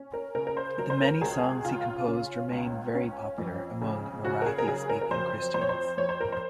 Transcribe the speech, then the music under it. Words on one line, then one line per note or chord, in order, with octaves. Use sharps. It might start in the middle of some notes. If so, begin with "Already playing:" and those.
The many songs he composed remain very popular among Marathi speaking Christians.
Already playing: C#4
A#4
C#3 A#4
A#4
C5
F#3 A#4
C5
A#4
C#2 G#4
C#3 F4
C#4
C#2
C#4
F2
C#3
C#3 F#4
A#4
G#4
A#4
F#3 G#4
A#4
A#4
F2 C5
F2 C5
C#5
C5
F2 C#5
C5
A#4
C5